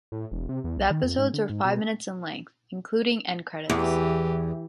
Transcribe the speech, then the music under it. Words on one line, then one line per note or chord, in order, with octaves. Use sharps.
The episodes were five minutes in length, including end credits.
A2
E1
C3
E2
B1
D#3
F2
G#2
D3
G#2
B2
E2 E3 G4